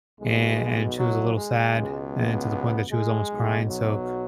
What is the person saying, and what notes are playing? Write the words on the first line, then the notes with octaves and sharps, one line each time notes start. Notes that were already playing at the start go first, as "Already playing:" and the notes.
an and she was a little sad and to the point that she was almost crying. So,
B1 B2 G#3
F#3
G#3
C#2 B2
B3
G#3
B1 B2
F#3